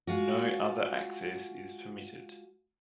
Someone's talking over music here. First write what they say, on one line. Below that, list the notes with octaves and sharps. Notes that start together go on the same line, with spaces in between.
No other access is permitted.
G#3 F4 F#4